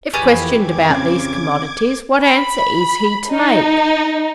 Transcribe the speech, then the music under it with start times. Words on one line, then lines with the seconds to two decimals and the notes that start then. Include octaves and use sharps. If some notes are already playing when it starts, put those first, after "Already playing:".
If questioned about these commodities, what answer is he to make?
0.14 F2 E3 G4 G#4 B4 C#6 A6 D#7
0.50 D6 G#6
0.90 C#3 C4 C#4
2.23 B5
3.29 D#4